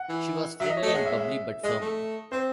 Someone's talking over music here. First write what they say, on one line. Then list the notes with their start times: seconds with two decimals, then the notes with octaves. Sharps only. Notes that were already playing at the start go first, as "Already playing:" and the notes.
She was friendly and bubbly, but firm.
Already playing: F#5
0.09 E3
0.60 F#3 E5
0.69 D#5
0.77 C#5
0.83 A3
0.87 D#5
0.94 G#3 F#5
1.05 E5
1.18 E5
1.63 G#3 D#5
1.80 A3
2.31 C4 C5